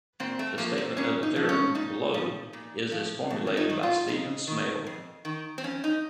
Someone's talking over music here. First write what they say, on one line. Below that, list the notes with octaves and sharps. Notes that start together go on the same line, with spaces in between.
The statement of the theorem, below, is as formulated by Stephen Smale.
A#2 C4
A3
F3 A#3
C4
A#2 C#4
D#4
F3
C#4
A#2 D#4
F3
A#2
F3
F2
C#4
D#4
D#3
F4
F2 D#4
D#3
F2
D#3
C4
F2 C#4
D#4